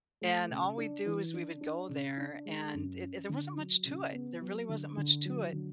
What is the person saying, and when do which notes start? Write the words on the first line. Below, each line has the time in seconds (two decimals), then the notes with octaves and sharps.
and all we do is we would go there and it there wasn't much to it there really wasn't much to it,
0.21 A3
0.50 C#3
0.78 D4
1.06 E3
1.34 D4
1.61 D4
1.89 C#3
2.17 D4
2.45 G#3
2.74 F#2
3.02 C#4
3.29 D3
3.57 F#3
3.85 C#3
4.13 B3
4.41 F#3
4.69 D3
4.97 D3
5.25 F#3
5.53 D3